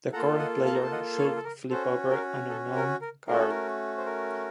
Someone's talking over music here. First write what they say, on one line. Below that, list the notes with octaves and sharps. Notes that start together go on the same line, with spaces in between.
The current player should flip over an unknown card.
A#3 F4 A4 F#5 A#5
D#5 F#5
F5 A5
A#5
A5
D#5 F#5
C#5 F5
A4
A#4
C#4 F#4 A4 C5
A#4
A4
A#4
A#4
A3 C#4 F#4 A4 A#4
A4
A#4
C5
A#4